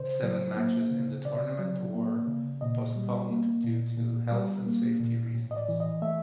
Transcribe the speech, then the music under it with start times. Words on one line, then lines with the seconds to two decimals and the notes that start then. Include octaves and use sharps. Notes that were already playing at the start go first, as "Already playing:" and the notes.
Seven matches in the tournament were postponed due to health and safety reasons.
Already playing: C#3 C5
0.23 F#3
0.57 A#3
0.91 C#3
1.25 C#3 D5
1.59 F#3
1.94 A#3
2.28 C#3
2.61 A#2 D#5
2.96 G3
3.30 A#3
3.64 A#2
3.98 A#2
4.32 G3
4.66 A#3
5.00 A#2
5.35 A2
5.51 D#5
5.56 D5
5.69 E3
5.80 D#5
6.02 A3 E5